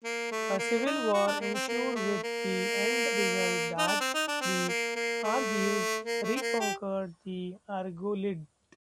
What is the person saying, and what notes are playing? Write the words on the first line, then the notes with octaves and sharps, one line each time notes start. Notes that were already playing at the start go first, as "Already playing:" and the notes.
A civil war ensued, with the end result that the Argives re-conquered the Argolid.
A#3
A3
A#3
D#4
F#4
D4
A#3
C4
A#3
A3
A#3
D#4
D4
C4
D#4
D4
C4
A#3
A#3
A3
A#3
A3
C4
A#3
G4